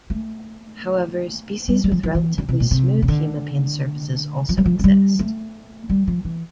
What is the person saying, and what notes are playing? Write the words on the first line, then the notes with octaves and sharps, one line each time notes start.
However, species with relatively smooth hemipene surfaces also exist.
A3
G3
G3
F3
F3
E3
D3
C3
A#2
C3
C3
D3
F3
G3
F3
A3
G3
A3
G3
F3
E3